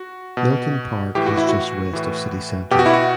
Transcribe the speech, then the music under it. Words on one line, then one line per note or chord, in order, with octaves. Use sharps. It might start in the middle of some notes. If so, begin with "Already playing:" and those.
Milton Park is just west of city centre.
Already playing: F#4
B2
A2 E3 G4
F#4
E4
F#4
A2 E3
B2 G4
F#4
E4
F#4